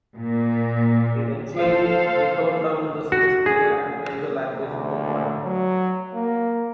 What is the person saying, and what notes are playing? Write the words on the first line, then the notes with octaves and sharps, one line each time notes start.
Eventually, he toned down the Shakespeare and made the language more modern.
A#2
A4 C5 F5
F#4
G#4
D2
F#3
A#3